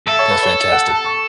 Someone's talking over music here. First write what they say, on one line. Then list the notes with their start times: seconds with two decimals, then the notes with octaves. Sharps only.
It was fantastic.
0.07 A4 E5
0.19 C#5
0.31 B4
0.43 C#5
0.72 F#5
0.88 A5
1.05 C#6